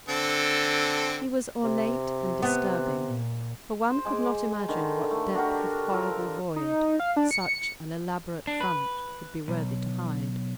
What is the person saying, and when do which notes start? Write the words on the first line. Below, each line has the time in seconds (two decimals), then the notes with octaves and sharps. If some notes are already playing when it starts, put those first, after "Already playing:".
He was ornate and disturbing, for one could not imagine what depth of horrible void such an elaborate front could be worthy to hide.
0.09 D3 C4 A4
1.64 C3
2.42 B3
3.04 A#2
3.90 C5
4.05 G#3 G#5 D6
4.68 D3 D#3
5.11 A3
5.35 D4 F#4 G4 A#4
5.91 F3 A4 A#4
6.56 D#4
7.00 F5
7.16 D4
7.31 C#7
8.47 D4
8.61 B4
9.48 B1